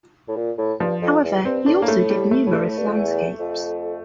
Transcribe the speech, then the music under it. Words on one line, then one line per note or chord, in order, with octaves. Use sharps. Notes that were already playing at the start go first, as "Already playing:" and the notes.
However he also did numerous landscapes.
A2
A#2
A2
G2 F3
F2
E2
G2 C4
A2 D4
G2
A2 A#3
A3
G3
A3
A2
G2 A3
A2
G2
F2
E2
F2